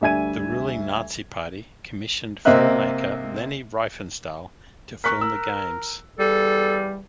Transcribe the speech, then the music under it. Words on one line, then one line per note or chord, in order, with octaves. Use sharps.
The ruling Nazi Party commissioned film-maker Leni Riefenstahl to film the games.
D2 G3 E5 G#5 G#6 D#7
C3 A#3 C4 D#5 E5 F#6
A#4 C#6 F#6 B6
E6
E2 G3 A4